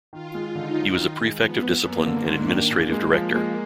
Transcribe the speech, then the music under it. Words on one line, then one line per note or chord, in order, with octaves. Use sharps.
He was a Prefect of Discipline and Administrative Director.
D#3 F4
G#3
D3 D#4
F#3
D#3
G#3
F3 B3
B3
F#2 A#3
D3
G#2 D4
D#3
A#2 A#3
G#3
F3
G#3